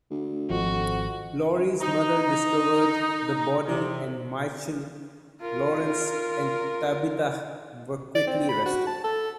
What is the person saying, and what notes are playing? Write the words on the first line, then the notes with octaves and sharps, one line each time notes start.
Laurie's mother discovered the body and Michelle, Lawrence, and Tabitha were quickly arrested.
D2
G#1 F2 F3 F#4
D#4
C3
F4 A#4
D5
C4
B5
F#4
A5
A4